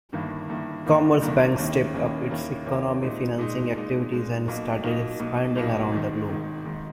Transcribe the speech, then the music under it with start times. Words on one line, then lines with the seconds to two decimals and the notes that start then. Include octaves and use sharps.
Commerzbank stepped up its economic financing activities and started expanding around the globe.
0.12 G1 G2 D#3 A#3 E4
0.49 G1 G2 D#3 A#3 E4
0.85 G1 G2 D#3 A#3 E4
1.21 G1 G2 D#3 A#3 E4
1.58 D#2 D#3 A#3 C#4 E4
1.94 D#2 D#3 A#3 C#4 E4
2.29 D#2 D#3 A#3 C#4 E4
2.66 D#2 D#3 A#3 C#4 E4
3.02 A#2 G#3 D#4
3.38 A#2 G#3 D#4
3.75 A#2 G#3 D#4
4.12 A#2 G#3 D#4
4.47 B1 B2 A#3 D#4
4.83 B1 B2 A#3 D#4
5.20 B1 B2 A#3 D#4
5.56 B1 B2 A#3 D#4
5.92 G#1 G#2 D#3
6.29 G#1 G#2 D#3
6.65 G#1 G#2 D#3